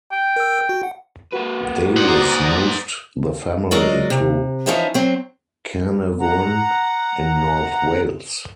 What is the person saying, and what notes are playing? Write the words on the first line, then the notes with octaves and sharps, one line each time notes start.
Davies moved the family to Carnarvon in North Wales.
G5
A#4 E6
F#4
F#5
A#3 F#4 B4
C5 D5 F#5 A#5 D#6
F#3 G#3 F#4 A#4 D5 D#5
C3
E3 F3 C#4 D#4 C5 E5
F#3 C4
F#5 A#5